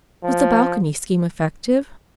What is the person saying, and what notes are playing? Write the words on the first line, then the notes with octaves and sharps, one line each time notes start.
Was the balcony scheme effective?
F3